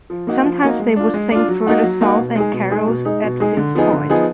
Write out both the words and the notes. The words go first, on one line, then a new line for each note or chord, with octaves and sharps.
Sometimes they would sing further songs and carols at this point.
F3
A#3 D#4 F#4
F3
A#3 D#4 F#4
G#3
D4 F4
G#3
D4 F4
F#3
A#3 D#4 F#4
F#3
A#3 D#4 F#4
B2
G#3 D#4 G#4
B2
G#3 D#4 G#4
B2
G#3 D#4 G#4
B2
G#3 D#4 G#4
D3
F3 B3 D#4 G#4
D3
F3 B3 D#4 G#4